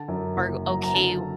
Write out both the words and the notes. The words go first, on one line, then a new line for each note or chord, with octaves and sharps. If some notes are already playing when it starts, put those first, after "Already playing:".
are okay with
Already playing: D3 A5
F#2
F#1
F#3 A#5
A#5
D3 A5